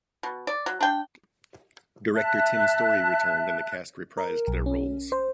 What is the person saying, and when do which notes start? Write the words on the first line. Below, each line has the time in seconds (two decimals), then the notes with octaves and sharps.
Director Tim Story returned, and the cast reprised their roles.
0.23 B2
0.47 D5
0.66 F#3
0.80 D4 G5
2.14 E5 A5 F#6
4.17 A#4
4.47 B1
4.66 C#4
5.12 C5